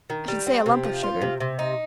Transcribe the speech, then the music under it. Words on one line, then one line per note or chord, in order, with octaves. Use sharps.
I should say a lump of sugar.
D#3
G3
C4
C3
F3
F4
C3
C3
D#4